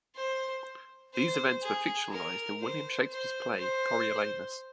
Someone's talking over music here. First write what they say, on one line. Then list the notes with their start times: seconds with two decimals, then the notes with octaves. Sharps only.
These events were fictionalized in William Shakespeare's play "Coriolanus".
0.15 C5
1.13 C5
1.62 G#4
2.11 A#4
2.60 C5
3.09 C5
3.58 C5